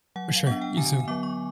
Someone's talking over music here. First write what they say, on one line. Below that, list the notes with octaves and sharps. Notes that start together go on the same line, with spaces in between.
For sure, you too.
F#3 F#5
F5
B3 D4 F#5
G5
D3 G#5
G#5
F#3 B3 D6
C#6